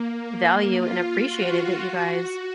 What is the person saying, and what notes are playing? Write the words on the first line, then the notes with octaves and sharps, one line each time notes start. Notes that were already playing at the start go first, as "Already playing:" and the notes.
value and appreciated that you guys,
Already playing: A#3
A#3
F4
F#4
F#4